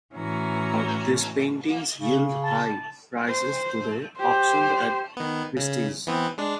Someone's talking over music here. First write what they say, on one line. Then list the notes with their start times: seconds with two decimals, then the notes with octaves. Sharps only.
These paintings yield high prices today, auctioned at Christie's.
0.14 A2 E3 C#4 F#4 A#5
1.95 C#3
2.42 A5
3.27 C5
4.19 G4 C5
5.17 D#3 B3
5.56 C#3
6.07 E3 B3 C4
6.38 G#3 D4